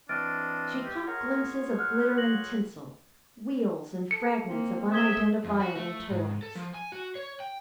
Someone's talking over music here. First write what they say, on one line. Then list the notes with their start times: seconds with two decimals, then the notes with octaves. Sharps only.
She caught glimpses of glitter and tinsel, wheels and fragments of unidentifiable toys.
0.09 E3 C4 D4 D#5 F6 A6 D7
0.85 G4
1.07 F4 G#4 A#4 C#5 F#5
1.79 F#5 F6
2.18 A#6 F#7
4.11 A4 C#7
4.48 A#3 C4
4.92 E5 D#6 G#6 G7
5.44 F2
5.60 F#4
5.76 A3
6.10 G#2
6.43 A4
6.55 F3
6.74 G#5
6.92 F#4
7.15 C#5
7.40 G5